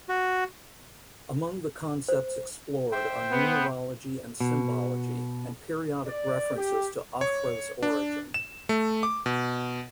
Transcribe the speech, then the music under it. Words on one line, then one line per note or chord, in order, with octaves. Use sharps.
Among the concepts explored are numerology and symbology, and periodic references to Aughra's origin.
F#4
C5
C5 E5 G5
B3
B2
D5
G4
C#5
D4
E7
A3
D6
B2